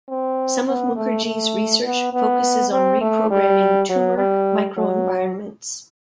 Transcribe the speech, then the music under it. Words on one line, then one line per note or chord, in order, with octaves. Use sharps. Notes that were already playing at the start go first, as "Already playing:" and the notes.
Some of Mukherjee’s research focuses on reprogramming tumor microenvironments.
C4
B3
A3
A3
B3
B3
C4
A3
G3
F#3
G3
F#3